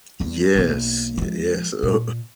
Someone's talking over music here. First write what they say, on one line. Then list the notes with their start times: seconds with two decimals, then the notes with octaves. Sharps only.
Yes, y yes, a a uh,
0.20 E2 G3
0.55 B1 A#3
1.18 F3 G#3
1.83 A#2